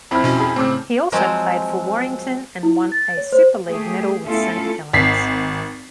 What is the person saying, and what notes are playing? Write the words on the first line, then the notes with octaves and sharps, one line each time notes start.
He also played for Warrington, and won a Super League medal with Saint Helens.
F2 C4 E4 B5 F6
B2 C#4
G#4 B5
A2 C#3 C4 D6 E6
F3 F#3 G#3 C4
E4
A6
C#5
C5
A3 G4 G#4
A3 B3 C#4 E4 F4 A4
G#1 B6 C7